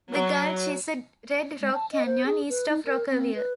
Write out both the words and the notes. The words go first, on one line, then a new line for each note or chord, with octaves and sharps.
The gulch is a red rock canyon east of Rockerville.
F#3
G#3
A5
D#5
C5
G#4
B4
D#4
A#4
C4
B4